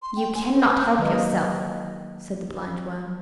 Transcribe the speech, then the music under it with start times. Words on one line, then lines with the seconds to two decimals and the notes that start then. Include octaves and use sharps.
"You cannot help yourself," said the Blindworm.
0.02 C6
0.16 G5
0.35 G#5
0.53 C5
0.66 B4
0.78 G6
0.98 D#3 F#3 G#3 A#3 B4 D#5